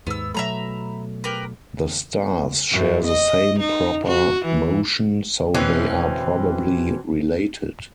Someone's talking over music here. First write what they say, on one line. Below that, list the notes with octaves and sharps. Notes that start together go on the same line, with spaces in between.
The stars share the same proper motion so they are probably related.
D#2 G#2 B3 E6
B2 F#3 A3 E5 A#5 B5
G4 A#4 B4
F#2
D#5
D#4
F#4
E3
B2 E3 C4 C#4